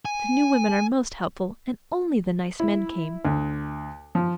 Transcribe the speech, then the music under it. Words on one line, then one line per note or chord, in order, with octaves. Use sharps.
The new women are most helpful, and only the nice men came.
G#5
E4
D2
F3